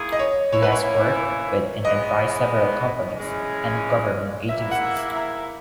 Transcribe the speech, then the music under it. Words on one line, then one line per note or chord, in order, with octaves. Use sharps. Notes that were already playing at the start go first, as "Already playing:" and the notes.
He has worked with and advised several companies and government agencies.
Already playing: D#3 A#3 E4 G#4
D#5
C#5
E3 A#3 C#4 E4 C#5
B4
C#5
E3 G#3 B3 D#5
E3 G#3 C#4
G#2 E3 A#3 E4 E5
F#5
A#5